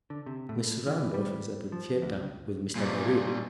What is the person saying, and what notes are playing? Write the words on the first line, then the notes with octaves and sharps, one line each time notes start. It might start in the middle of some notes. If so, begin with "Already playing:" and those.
Miss Randolph is at the theatre with Mr. Beryl.
D3
C3
A2
E3
G3
F3
D2
C#2
A#2 G3